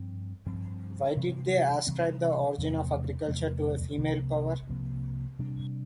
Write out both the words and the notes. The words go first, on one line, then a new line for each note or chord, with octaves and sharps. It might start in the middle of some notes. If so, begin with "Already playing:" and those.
Why did they ascribe the origin of agriculture to a female power?
Already playing: G2 F3 C4
G2 F3 C4
C3 E3 G3 C4
C3 E3 G3 C4
E2 C3 F3 A3
E2 C3 F3 A3
C2 C3 F3 A#3
C2 C3 F3 A#3
C3 G3 D4